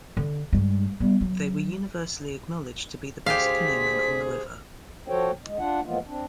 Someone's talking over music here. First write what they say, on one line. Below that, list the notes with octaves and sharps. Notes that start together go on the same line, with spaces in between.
They were universally acknowledged to be the best canoemen on the river.
D3
G2 G#3
G3 B3
F#3
D2 G4 G#4 C5 F5 B6
F3 F#4 A4 C5 C#5 G5
G#3
D4 F4 F#5
E3 F3 G#3 A#3 B3 F4
C4 D4